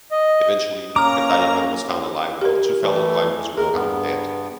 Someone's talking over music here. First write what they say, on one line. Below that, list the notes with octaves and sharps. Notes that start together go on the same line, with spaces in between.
Eventually, Katayama was found alive while two fellow climbers were found dead.
D#5
A#3 C#4 A#5 D6 F6
G4 A#4
E3 A3
D#2 G#4 A#4
G2 B3